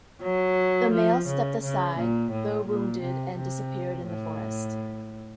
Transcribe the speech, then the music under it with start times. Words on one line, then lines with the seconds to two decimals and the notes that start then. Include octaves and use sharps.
The male stepped aside, though wounded, and disappeared in the forest.
0.22 F#3
0.92 F3
1.27 C#3
1.62 C#3
1.97 A#2
2.32 A2
2.67 A#2
3.01 C3
3.36 C3
4.07 A2